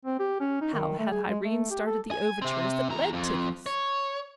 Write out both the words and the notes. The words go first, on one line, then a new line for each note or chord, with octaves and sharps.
How had Irene started the overtures that led to this?
C4
G4
C#4
D#4
D#3
A3
G#4
G#3
A3
G4
A4
G#5
C3 C4
E2 A#5
F2
C#5